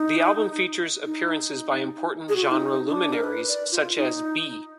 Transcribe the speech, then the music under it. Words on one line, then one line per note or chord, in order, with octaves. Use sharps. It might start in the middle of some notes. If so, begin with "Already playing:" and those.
The album features appearances by important genre luminaries, such as B.
Already playing: D#4
D#4
G#4
F#4
F4
D#4
D4
A#4
B4
D5
F4
D#4